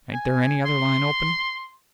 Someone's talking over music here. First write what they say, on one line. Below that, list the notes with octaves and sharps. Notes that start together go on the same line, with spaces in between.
Ain't there any other line open?'
G#5
C6